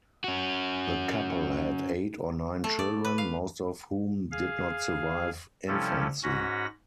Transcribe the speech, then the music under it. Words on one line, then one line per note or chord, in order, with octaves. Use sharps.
The couple had eight or nine children, most of whom did not survive infancy.
C#4 F#4
A3
D5
B4
F5
G#4 F5
C3 F3 G3 C#4 E4 A4
G#2 C#4 F#4 B5 A#6